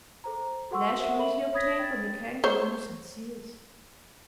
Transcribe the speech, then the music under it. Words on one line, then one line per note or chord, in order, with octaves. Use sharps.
Flesh meat he obtained from the kangaroos and seals.
A4 C5 A#5
F#4 A4 F#5 C6 C#6 E6
A#4 C5 E5 F#5
A4 E5 B5 F#7
C#5 B5 D#6 G#6 A#6 B6
G5 A6
C5 C#5